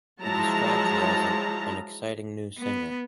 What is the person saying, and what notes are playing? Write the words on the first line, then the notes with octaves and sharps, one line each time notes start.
He described her as an exciting new singer.
F3 F#3 G#3 E4 A5 A#5
B3